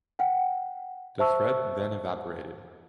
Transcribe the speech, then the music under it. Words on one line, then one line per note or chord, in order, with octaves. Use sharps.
The threat then evaporated.
F#5 G5
C5 E5 A5 C#6 E6